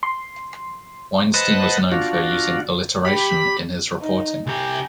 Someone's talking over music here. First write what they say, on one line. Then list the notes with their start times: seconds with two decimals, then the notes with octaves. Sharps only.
Weinstein was known for using alliteration in his reporting.
0.03 C6
1.34 B4 C5 D#5 F#5 A5
1.92 D4 F4 F#4
3.05 G4 B5
4.01 D#4
4.47 C2 G4 G#5 A#5